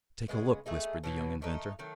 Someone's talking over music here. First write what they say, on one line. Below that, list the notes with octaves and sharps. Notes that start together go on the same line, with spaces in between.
"Take a look," whispered the young inventor.
C#3 G#3 B3
A3 D#4 G#4
B2 F#3 B3
D#3 A3 D#4
D#3 F#3 A3